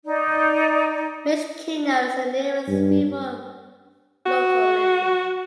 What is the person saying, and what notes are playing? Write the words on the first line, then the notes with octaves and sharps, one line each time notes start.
Mishkino is the nearest rural locality.
D#4 D5
G2
F#4